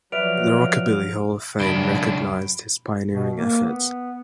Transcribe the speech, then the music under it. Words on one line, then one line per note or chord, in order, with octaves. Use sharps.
The Rockabilly Hall of Fame recognized his pioneering efforts.
F3 F#3 B4 D5 E5 F6 D7 F7
C#2 F#2 D4 B5 D7 G7
B2
A#3
B3